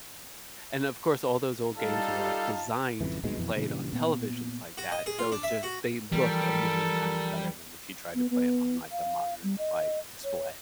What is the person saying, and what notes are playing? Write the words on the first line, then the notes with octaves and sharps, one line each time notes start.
and of course all those old games are, like, designed to be played on televisions like that, so it just they look a million times better than if you try to play 'em on, like, a modern, like, display.
G3 D#4 F4 A4 A5
G#1 F2 C#3 E3
D1 A#1 B2 G#3
F2 B2 E3
G2 A#2 C#3 E3
A#2 B3
F#4
D#5
G#4
F4
D4
E5
F#4
E3 F3 G3 A4 A#4
B3
B3
F5
G3
D#5
C#5